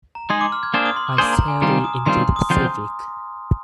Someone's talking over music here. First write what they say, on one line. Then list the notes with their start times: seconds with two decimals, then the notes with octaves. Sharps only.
I sailed it into the Pacific ...
0.15 A#5
0.30 G#3 D#4 G#4 C6
0.41 D6
0.52 F6
0.63 F6 G#6
0.74 A#3 D4 G#4 C5 F6
0.86 D#6
0.96 C6
1.07 D6
1.18 A#3 D4 G#4 C5 C6
1.33 A#5
1.48 G#5
1.62 D#3 G3 C4 F4 A#5
1.84 D#6
2.06 D#3 G3 C4 F4 C6
2.36 D#6
2.50 D3 F3 C4 F4 C5